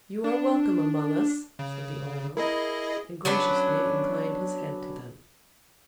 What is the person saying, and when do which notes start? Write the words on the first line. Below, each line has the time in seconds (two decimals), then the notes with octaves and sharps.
"You are welcome among us," said the Old Oak, and graciously inclined his head to them.
0.24 D4
1.59 C#3
2.37 E4 G#4 A#4 D#5
3.25 F#3 B3 C#4 D4